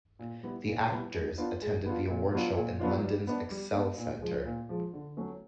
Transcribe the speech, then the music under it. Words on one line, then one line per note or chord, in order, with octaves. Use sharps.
The actors attended the award show in London's excel centre.
A#2
G3 B3 E4
A#2
G3 B3 E4
G#3
B3 D4 F4
G#3
B3 D4 F4
A#2
F#3 B3 D4 F4
A#2
F#3 B3 D4 F4
G3
B3 D4
G3
B3 D4
A#2
F3 G#3
A#2
F3 G#3
D3
F#3 A3 C#4